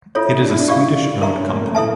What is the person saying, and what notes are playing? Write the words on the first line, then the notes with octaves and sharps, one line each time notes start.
It is a Swedish owned company.
E4 F4 A4 C#5
D4
E4
D4
E4 G4 D5 F5 C#6
D4 A#4 E5 A#5
C#4
A#3
A3
A#3 E4 A4 E5 A5